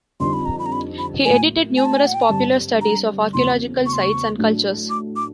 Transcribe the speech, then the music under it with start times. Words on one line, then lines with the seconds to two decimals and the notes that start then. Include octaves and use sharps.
He edited numerous popular studies of archaeological sites and cultures.
0.20 F2 D3 G3 C4 D#4 C6
0.33 B5
0.45 A#5
0.59 B5
0.66 A#5
0.72 B5
0.98 B5
1.25 A2 F#3 A#3 G#5
1.77 G#5
1.85 A5
1.94 G#5
2.06 F#5
2.14 G5
2.22 G#5
2.29 G2 D3 G3 C4 A5
2.81 A#5
3.33 E2 C#3 F#3 A3 C4 C6
3.86 C#6
3.93 C6
4.01 C#6
4.38 A2 F#3 A3 D4
4.90 D6
5.16 D6